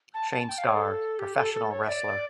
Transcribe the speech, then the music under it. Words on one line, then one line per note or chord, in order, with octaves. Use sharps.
Shane Starr, professional wrestler.
A5
A5
G5
F5
C#5
A4
G4
A4
A4
C#5
E5
D5